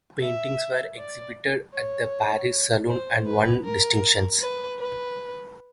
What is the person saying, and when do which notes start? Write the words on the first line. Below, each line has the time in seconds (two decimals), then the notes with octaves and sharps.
Both paintings were exhibited at the Paris Salon and won distinctions.
0.22 E5
0.98 D5
1.74 C#5
2.89 C5
3.27 B4
3.65 A#4
4.41 B4
4.79 B4